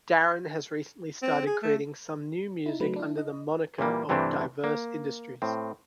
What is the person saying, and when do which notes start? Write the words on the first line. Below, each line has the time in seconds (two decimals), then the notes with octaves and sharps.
Darren has recently started creating some new music under the moniker of Diverse Industries.
1.22 C4
1.47 G#4
1.63 A3
2.66 D#4 E4
2.80 C#3 F#3 A3 D#4 B4
2.96 D4 E4
3.17 D#5
3.78 A#2 E3 G3 A#3
4.09 G2 C3 E3 A3 C4 D4
4.64 A#3
5.42 A2 C4